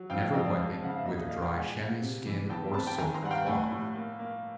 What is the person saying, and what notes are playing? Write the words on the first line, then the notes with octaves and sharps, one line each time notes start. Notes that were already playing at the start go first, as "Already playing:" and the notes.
Never wipe it with a dry chamois skin or silk cloth.
Already playing: F#3
F2 F5 G5
F5 G5
F2 D#5
D5
G#3
C#3 F#5
F5
E5
A#2 D#5
D#5
A#2 D#5 F5
F5 G5
G#3 F#5 G#5
G#3
C3
E3
E2 G5 A5
C4 A5 B5
G5 A5
D#3 G#5 A#5
A#5 C6
G2 F#5
F5 G5
A2 F#5 G#5
A2
A#3
A#3